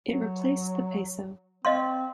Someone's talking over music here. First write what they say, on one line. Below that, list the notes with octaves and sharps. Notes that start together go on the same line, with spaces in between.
It replaced the peso.
F#3
C4 D#5 F5 C6